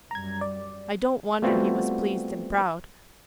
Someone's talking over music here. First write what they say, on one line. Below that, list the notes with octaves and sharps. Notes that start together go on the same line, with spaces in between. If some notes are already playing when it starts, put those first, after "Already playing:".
I don't wonder he was pleased and proud.
F#2 G3 A#5 G#6
D5
G3 A3 B3 C4 F4 F#4